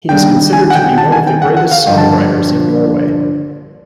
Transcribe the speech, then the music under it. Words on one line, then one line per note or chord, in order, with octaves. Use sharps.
He is considered to be one of the greatest songwriters in Norway.
D#2 D#3 G3 A#3 D4 G5
G#5
F#5
G5
A5
G#5
G5
F#5
F#5
F5
G2 D3 F3 G5
A5